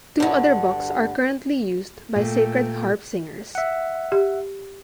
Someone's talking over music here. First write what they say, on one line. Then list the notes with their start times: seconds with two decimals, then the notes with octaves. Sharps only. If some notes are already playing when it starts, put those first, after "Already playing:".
Two other books are currently used by Sacred Harp singers.
0.20 G2 D3
2.16 A#2 A3 G5
3.55 E5 F#5
4.12 G4